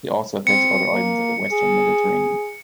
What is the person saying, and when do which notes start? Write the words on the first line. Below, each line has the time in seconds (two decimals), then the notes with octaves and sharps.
It also affects other islands of the Western Mediterranean.
0.47 C4 C#7
0.93 A#3
1.53 G#4